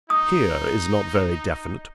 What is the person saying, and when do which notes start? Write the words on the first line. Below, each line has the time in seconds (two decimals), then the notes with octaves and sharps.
'Here' is not very definite.
0.10 D#4 D#6